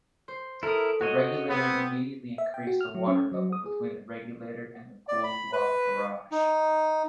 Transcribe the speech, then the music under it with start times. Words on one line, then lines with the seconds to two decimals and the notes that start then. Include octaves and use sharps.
The Regulator immediately increased the water level between the Regulator and the Goolwa Barrage.
0.28 C5
0.63 E4 A4 A#4 D#6
1.01 F#4 C#5 D#5
1.49 B3 C4
2.38 E5
2.54 G5
2.67 F#4
2.81 F6
2.95 F#3
3.07 C#4
3.32 F#3
3.53 D#6
3.66 G#4
5.08 D5
5.24 B5
5.53 B4
6.32 D#4